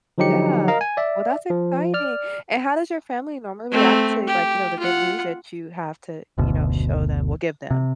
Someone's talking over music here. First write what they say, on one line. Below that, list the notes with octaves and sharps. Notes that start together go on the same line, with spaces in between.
Yeah. Well, that's exciting, and how does your family normally react to, like, you know, the good news that you have to, you know, show them or give them?
D3 F3 F#3 D#4 G4 C#7
A#4 D#5 F5 A#5
G#5
D5 E5
F3
D5 F6
A3 C4
G4
F4 F#5
F#1 D2 B2
C3